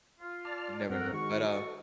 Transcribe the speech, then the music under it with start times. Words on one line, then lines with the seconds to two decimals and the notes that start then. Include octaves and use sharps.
You never know. But, um
0.20 F4
0.45 D5 A5 F6
0.90 G2 C4 F#4 A4 A#4 F#5
1.13 D#3 G#3 F#4 C#6
1.54 A4